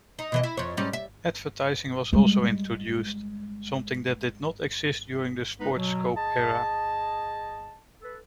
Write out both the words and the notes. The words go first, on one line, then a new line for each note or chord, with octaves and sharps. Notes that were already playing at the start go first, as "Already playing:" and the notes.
Advertising was also introduced, something that did not exist during the Sportscope era.
D#4
B2 E3 D#5
E4
F2 C#5
G#2 G3 C#4
E5
G3 G#3
G#3 B3 D#4 B4
B2 F#3
G#4 D#5 A5
A4 B4